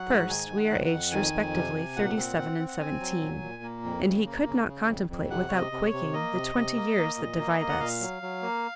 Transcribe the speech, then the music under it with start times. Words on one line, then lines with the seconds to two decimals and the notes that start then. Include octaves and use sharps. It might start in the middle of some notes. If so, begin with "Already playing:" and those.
First, we are aged respectively thirty-seven and seventeen; and he could not contemplate without quaking the twenty years that divide us.
Already playing: F#3 F#5
0.08 G#2
0.29 D#3 G#5
0.50 D#3
0.57 F#5
0.70 F2
0.85 F#5
0.92 F2
1.12 D#3 G#5
1.33 F2
1.54 C3
1.75 C3
1.96 A#2 F#5
2.16 C4
2.38 C4
2.58 C4
2.68 F#5
2.79 C4 G#5
3.00 F#3
3.21 A#2
3.42 A#2
3.63 A#3
3.84 F2
4.05 C#3
4.26 A#3
4.47 C#3
4.67 C#3
4.88 F2
5.09 F2
5.30 C3 F#5
5.48 C3 C#5
5.57 D#5
5.72 C3
5.86 C#5
5.92 C3
6.13 A#3 D#5
6.34 C3
6.55 C3
6.76 A#3
6.97 A#3
7.18 A#2
7.39 A#3
7.60 A#3
7.69 F#5
7.80 A#2 F5
8.01 F#3
8.22 F#3
8.42 A#3